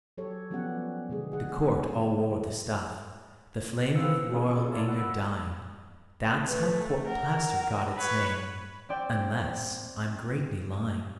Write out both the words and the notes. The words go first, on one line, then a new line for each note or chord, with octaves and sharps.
The court all wore the stuff, the flame Of royal anger dying. That's how court-plaster got its name Unless I'm greatly lying.
F#3 G4 A4 C#5
F3 G3 B3 C#4 G4 F#5
B2 D3 G#3 G#4
C3 G#4 F#5
G#3
G#3
E3 B4 C5 F5 E6 C#7
B2 C4 C#4 F4 G#4
A4
E4 F4 A4 A#4 C#5 D5
F#5 B5 E6
A3 B4
A#4 F#5
B4 C#5
C4 D5 G5